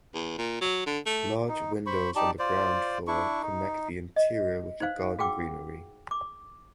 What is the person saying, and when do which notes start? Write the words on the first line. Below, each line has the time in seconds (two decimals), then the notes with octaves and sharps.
Large windows on the ground floor connect the interior with the garden greenery.
0.14 E2
0.38 A#2
0.61 F#3
0.86 D3
1.06 A3
1.48 D#4
1.86 C5 B5 C#6
2.15 D#4 G4 D5 A5
2.39 F4 C5 D5
3.07 D4 E4 C#6
3.42 D#4
4.16 D#5
4.80 D#4 B4 C5 F5
5.19 F#4 G#4 F#5 G5 D6 E6
6.11 D6